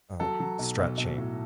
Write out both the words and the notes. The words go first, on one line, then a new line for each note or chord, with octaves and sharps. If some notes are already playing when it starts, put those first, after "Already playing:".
um, stretching.
F#3 A4
F#3
B1
B1
B1
A2